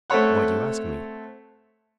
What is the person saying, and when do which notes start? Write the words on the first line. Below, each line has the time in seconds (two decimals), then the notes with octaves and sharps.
Why do you ask me?
0.10 A3 C4 A4 C#5 F#5